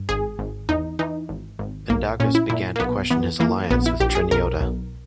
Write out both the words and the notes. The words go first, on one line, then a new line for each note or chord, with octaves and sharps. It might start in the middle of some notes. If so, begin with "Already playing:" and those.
Mindaugas began to question his alliance with Treniota.
Already playing: G2
G#1 G#4
G#1
E2 D#4
E3 D#4
G#1
G#1
B1 A#3
A#2 C#4
E4
A#2 E4
A#3
B1 B3
E3 B3
E3 A#3
A#1 B3
E4
A#1 G4
G#4
B1 A#4
B1